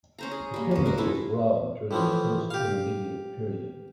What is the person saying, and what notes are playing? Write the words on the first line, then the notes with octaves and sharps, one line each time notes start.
The pyramid was robbed during the First Intermediate Period.
C#4 C5 A#5
G#4
G3 A#3
G#3 C#4
F#4 A#4
B3 E4 F4 A4
A2 E3 F3
G4 F5